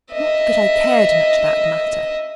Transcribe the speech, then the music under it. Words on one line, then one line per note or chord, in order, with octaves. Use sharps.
Not that I cared much about the matter.
D#5 E5